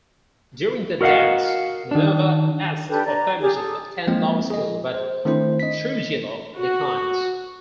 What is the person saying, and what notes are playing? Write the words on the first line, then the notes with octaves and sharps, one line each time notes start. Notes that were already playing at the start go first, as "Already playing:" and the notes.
During their dance, Minerva asks for permission to attend law school, but Trujillo declines.
F#4 A#4 D#5 F5 F#5
D#3 D4
D4 G4 A4 B4
D5 A#5
G4 G#4 A#4
A4 D#6
F3 G#3 A#3 C4
G#4 D#5
C5
D#3 A3 C4 D4 E4 C5
D#5 B6
F#4